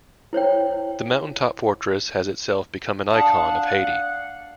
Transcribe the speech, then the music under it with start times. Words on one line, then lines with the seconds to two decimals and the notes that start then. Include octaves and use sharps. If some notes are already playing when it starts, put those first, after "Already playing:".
The mountaintop fortress has itself become an icon of Haiti.
0.33 E4 C5 C#5 G5
3.11 D4 F5 F#5 A5 D#6